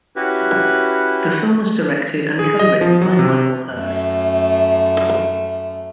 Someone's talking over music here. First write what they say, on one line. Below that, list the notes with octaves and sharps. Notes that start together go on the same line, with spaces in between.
The film was directed and co-written by Michael Hurst.
C#4 E4 F#4 G4 B4
G#4
D#5
F3
F#3
C3
F#2 A3